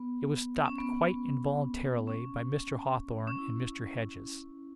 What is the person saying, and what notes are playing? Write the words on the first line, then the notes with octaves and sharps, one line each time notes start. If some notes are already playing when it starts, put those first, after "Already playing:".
It was stopped, quite involuntarily, by Mr. Hawthorn and Mr. Hedges.
Already playing: B3
C#4
B3
C#4
C#4
E4